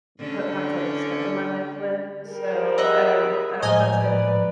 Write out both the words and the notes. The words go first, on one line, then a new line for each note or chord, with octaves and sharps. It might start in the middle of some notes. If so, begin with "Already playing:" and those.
coo have to like schedule my life with, so, um, I don't that said
D3 C#4
G3 G#4 A#4
D#5 E5 F#5 B5 D#6
A2 F3 G#3 A#4 D#5 G#5
B4 D5